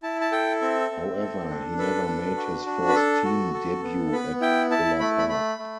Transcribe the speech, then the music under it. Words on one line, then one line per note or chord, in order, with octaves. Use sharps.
However, he never made his first team debut at Villa Park.
E4 A5
A5
A4 G5
C4 E5
C4
A4
D4
A4 B4
D4
F#4
D4
B4
A4
F#4
A4
B3
B3 B4
E4 G5
E4 A5
A3 B5
B5
A3 B5
A3